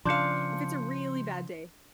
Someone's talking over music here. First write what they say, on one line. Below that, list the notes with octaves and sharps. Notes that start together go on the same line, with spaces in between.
If it's a really bad day
C#3 F3 D4 F5 C6 G6 C#7